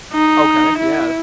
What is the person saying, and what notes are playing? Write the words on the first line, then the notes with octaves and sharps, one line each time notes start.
Okay, yeah.
D#4
E4